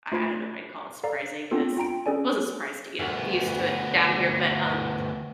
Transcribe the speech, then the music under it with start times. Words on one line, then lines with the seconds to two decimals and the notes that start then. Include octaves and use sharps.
I I don't know if I'd call it surprising, 'cause wasn't surprised to eat it used to it down here, but, um,
0.12 A3 F4 C5 B5 G#6
1.03 A4 D5 F5 A#5
1.51 B3 C4 D4 F4 A4
1.77 F4 G5 A#5 D7
2.06 C#4 G#4 A4 D5 G#5
2.99 D2 B3